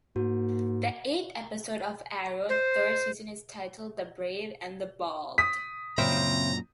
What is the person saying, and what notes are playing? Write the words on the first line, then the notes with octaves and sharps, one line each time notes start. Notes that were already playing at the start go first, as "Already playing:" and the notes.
The eighth episode of "Arrow"'s third season is titled "The Brave and the Bold".
G#2 A#3 F#4
C5
D#6 B6
F#2 A#2 C#3 C4 E5 A#5